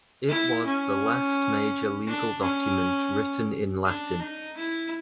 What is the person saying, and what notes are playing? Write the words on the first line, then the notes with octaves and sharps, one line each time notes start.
It was the last major legal document written in Latin.
E4
C#4
D4
C#4
D4
D#4
E4